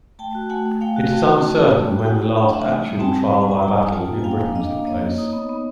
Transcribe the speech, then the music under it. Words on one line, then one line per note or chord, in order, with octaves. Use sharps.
It is uncertain when the last actual trial by battle in Britain took place.
A3 G5 A5
F#4
A3 F#5 G#5
A3
A3 F5 G5
F#4
F#4 G5 A5
A3
F#4
A3
A3
F#4
G5
A3 F#5 G#5
A3
D4 F5 G5
A3 E5 F#5
D#4 F#5 G#5
G3
C4 G5 A5
G3
G3
F#5 G#5
G3
G#5 A#5
G3 G5 A5
D#4
F4 F#5 G#5
A#3
G#5
A#3 F5 G5
D4
D4 D#5 F5
A#3
A#3 C#5 D#5
A#3
D#4
B3
B3